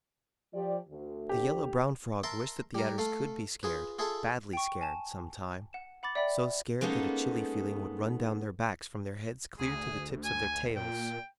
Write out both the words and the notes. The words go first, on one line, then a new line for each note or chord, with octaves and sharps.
The Yellow Brown Frog wished that the Adders could be scared, badly scared, some time: so scared that a chilly feeling would run down their backs from their heads clear to the tips of their tails.
F3 G4 D5
D2
G4
A#4 E5 A5 C6
G3 A#4
A3 A4 F5
F4 G#4 B4
F4 G#4 A4 E5
G5 C#6
G#5 A5
F#5 E7
F#5 B5 D6 A6
D5 E5 F#5 G5 B5
G#3 A#3 B3 C#4 D#4 A4
D2 G#4
G#5
A#2 G5